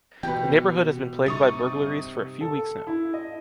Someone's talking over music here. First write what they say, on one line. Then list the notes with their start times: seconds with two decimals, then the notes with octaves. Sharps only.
The neighborhood has been plagued by burglaries for a few weeks now.
0.23 B2 E3 B3 G4 B4 G5
1.26 G2 C3 G3 D#4 C#6 D#6 A6
2.41 A4
2.87 E4
3.13 D#5